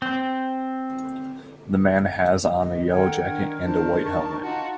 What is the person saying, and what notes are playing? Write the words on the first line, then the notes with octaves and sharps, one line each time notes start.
The man has on a yellow jacket and a white helmet.
C4
D#5
D#3 A4 A#4 F#5 G5 G#6
D4
D4 C5 A5
D#4 C#6
D#4 F4 F#4 A5